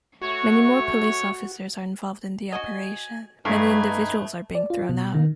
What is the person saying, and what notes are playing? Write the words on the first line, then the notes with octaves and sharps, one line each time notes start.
Many more Police Officers are involved in the operation, many individuals are being thrown out.
A3 F#4 C#5
F#4 D#5 G#5
G2 A3 D#4 B4 G#5
D5
F4
B2
D#3